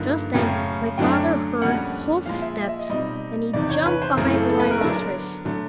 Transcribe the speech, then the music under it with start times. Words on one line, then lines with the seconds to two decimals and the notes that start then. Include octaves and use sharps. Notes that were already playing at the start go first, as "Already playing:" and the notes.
Just then my father heard hoofsteps and he jumped behind the rhinoceros.
Already playing: G2 D3 F3 A#3 D#4
0.34 F#2 C#3 F#3 A3 C#4 G5
0.98 F#2 D3 F#3 A3 D4 G5
1.62 F2 D3 G3 A#3 C#4 F#5
2.26 A#2 F3 G#3 F5
2.42 E5
2.58 D#5
2.69 E5
2.79 D#5
2.90 B2 G3 C4 D#4 D#5
3.53 E2 C3 D#3 D5
3.70 C#5
3.86 B4
4.02 C5
4.17 F#2 C#3 E3 A3 C4 A#4
4.33 A4
4.49 A4
4.60 B4
4.71 A#4
4.81 D3 F#3 B3 D4 A#4
5.45 D3 F#3 A3